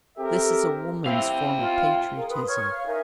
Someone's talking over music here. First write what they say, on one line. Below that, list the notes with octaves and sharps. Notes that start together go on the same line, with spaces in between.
This is a woman's form of patriotism.
C4 G4 A4 A#4 E5
C4 E4 G4 F5 G5
F4
G#4 A#4
B4 C6 D#6
C#5 C#6 F6 G#6
F5
D#4 A#4 E5 G#5